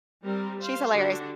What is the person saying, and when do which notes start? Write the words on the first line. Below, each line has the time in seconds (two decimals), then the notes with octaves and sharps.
she's hilarious,
0.24 G3 C4 A#4
0.60 C5 F5 C6
0.93 D3 D4 F#4 G4 A4